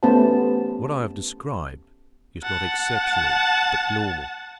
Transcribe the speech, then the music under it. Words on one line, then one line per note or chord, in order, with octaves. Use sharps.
What I have described is not exceptional but normal.
A3 B3 C#4 G4 C5 A5
F#5 A5